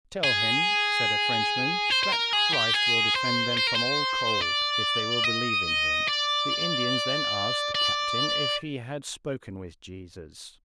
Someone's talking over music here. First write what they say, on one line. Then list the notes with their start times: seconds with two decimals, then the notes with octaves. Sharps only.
"Tell him," said a Frenchman, "that Christ will defend them from all cold, if they will believe in him." The Indians then asked the captain if he had spoken with Jesus.
0.24 G#4
1.90 C5
2.03 C5
2.12 A#4
2.33 G#4
2.54 G4
2.74 G#4
3.16 C5
3.57 C5
3.67 A#4
3.75 C5
4.41 D5
5.24 D#5
6.08 D5
7.75 D5